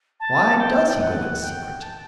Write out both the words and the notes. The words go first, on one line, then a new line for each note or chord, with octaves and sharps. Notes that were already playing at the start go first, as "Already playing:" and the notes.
Why does he go in secret?
A5
G5
F#5
G5
A5